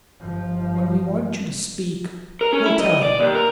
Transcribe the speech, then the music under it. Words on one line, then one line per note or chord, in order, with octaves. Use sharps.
"When we want you to speak we'll tell you."
G1 F3
A#4
C#4
E4
D#5
D5
D#2
A#4